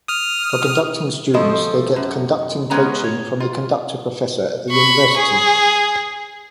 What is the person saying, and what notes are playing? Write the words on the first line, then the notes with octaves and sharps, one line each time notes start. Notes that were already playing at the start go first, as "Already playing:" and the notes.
For conducting students, they get conducting coaching from a conductor-professor at the university.
D#6 F6
C#3 F3 A3 C5 D#5
F#2
G#3 B3 C#4 A#5
C#5
F4
B5 C#6
G#4